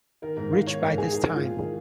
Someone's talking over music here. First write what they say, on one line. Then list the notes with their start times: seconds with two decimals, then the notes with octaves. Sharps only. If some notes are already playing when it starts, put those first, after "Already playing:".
Rich by this time.
0.22 D#3 A#4
0.37 G#2 A#4
0.52 D#3 F5
0.67 D#3 C#5
0.82 G#2 A#4
0.98 D#3 G#4
1.13 D#3 G#4
1.29 G#2
1.36 F4
1.43 D#3
1.58 D#3 G#4